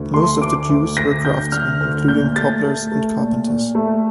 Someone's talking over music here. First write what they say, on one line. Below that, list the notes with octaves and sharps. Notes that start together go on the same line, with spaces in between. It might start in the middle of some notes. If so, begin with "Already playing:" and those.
Most of the Jews were craftsmen, including cobblers and carpenters.
Already playing: D2
A3 C6
D2 D6
D2
D2 A#6
D2 G6
D3 F6
D2
A#2 G6
A3 A6
A3
A3
A#2
A#2
A3